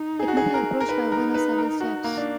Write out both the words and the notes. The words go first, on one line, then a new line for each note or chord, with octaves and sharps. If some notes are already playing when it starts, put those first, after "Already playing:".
It may be approached by one or several steps.
Already playing: D#4
G#4
F#4
G#4
A#4
A#4
D#4 B4
A#4
B4
A#4
F#4
A#3
D4